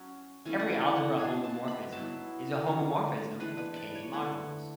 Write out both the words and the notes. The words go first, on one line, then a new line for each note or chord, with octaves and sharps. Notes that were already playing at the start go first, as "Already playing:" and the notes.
Every algebra homomorphism is a homomorphism of "K"-modules.
Already playing: F#3 C#4 A5
E3 A3 C#4 E4 G#5
F#5
G#5
F#5
B2 G#3 D4 G#5
A5
B5
F#3 B3 E4 A5
D3 F#3 C#4 C#5
E3 G#3 D4 B4
B4
D5
C#5
D3 A3 E4 F#5